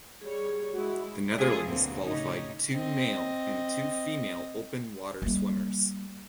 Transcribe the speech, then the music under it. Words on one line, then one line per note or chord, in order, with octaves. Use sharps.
The Netherlands qualified two male and two female open water swimmers.
G3 G#4 C#5
G#3 E4 F#4
C#3 E3 A3 F4 G#4 A4
D2 B2 D3 F#3 A#3 C4
A2 C#3 D#4 G4 C#5
C4 D#5
G3 A#3